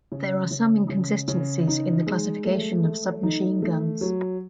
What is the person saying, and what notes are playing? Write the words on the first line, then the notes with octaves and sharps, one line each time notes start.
There are some inconsistencies in the classification of submachine guns.
C#3
C#3
C#3
C#3
D#4
G#3
A3
A3
D#4
A3
F#3